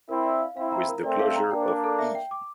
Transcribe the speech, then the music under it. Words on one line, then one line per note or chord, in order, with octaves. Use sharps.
With the closure of E!
C4 E4 A#4
D5
F5
C4 E4 F5
A#5
A#4
A3 C4 D5
F5
A#5
A#3 D4 G5
D6
A4
E5
G5
D6